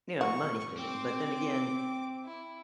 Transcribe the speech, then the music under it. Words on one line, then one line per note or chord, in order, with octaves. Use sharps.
you know, money spending. But then again
F#4 C#6
C4 D6
E4